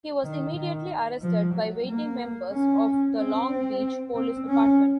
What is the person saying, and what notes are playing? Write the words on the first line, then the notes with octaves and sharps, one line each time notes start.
He was immediately arrested by waiting members of the Long Beach Police Department.
D#3
D#3
F3
F#3
A#3
C#4
C4
C4
C#4